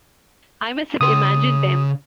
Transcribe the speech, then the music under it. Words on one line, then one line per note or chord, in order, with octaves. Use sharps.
I must have imagined them.
C#3 C6 D#6